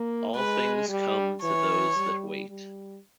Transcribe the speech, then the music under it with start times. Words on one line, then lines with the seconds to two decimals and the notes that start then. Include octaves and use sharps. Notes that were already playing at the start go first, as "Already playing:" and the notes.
All things come to those that wait.
Already playing: A#3
0.35 G#3 B4
0.89 G3
1.43 E3 C#5
1.96 G3
2.49 G3